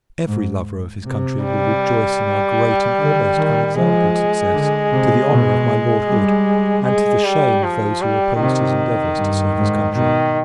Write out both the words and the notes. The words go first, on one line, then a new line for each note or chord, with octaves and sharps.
Every lover of his country will rejoice in our great and almost unexampled success, to the honour of my Lord Hood, and to the shame of those who opposed his endeavours to serve his country.
G#2
C3
G3
D3
D#3
F3 G#3
D3
C3
B2
G3
G#3
G3
F3
G3
C3 D#3
G2
G#2
B2 D#3